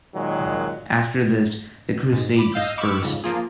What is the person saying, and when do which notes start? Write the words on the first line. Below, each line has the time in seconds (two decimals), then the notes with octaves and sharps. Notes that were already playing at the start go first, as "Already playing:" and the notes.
After this, the crusade dispersed.
0.15 A#2 D#3 F#3 G#3
2.12 G#2
2.36 B5 D6
2.53 D#5 F5 E6 G6
2.78 B5 C#6 D6 E6 F6
3.02 F2 G#2 C#3
3.24 F3 A#3 F4 G#4